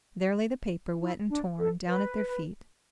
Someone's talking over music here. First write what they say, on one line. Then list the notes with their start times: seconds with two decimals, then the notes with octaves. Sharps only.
There lay the paper wet and torn, down at their feet.
0.99 E4
1.29 D4
1.58 A4
1.87 B4